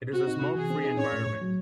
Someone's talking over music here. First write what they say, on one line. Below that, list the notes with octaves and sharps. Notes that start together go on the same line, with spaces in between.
It is a smoke-free environment.
C4 F#4
D#4
C3
E3 G#4
C4
D#4
C#4 C#5
A2
A2
F#3